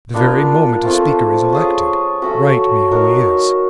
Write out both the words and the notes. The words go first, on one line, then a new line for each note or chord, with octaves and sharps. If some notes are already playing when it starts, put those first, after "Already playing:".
The very moment a speaker is elected, write me who he is.
B3 D4 F4 A#4
F3 A3 C4 F4
C#4 F4 G#4
F#3 A3 C#4 F#4
D#4 F#4 A#4 C#5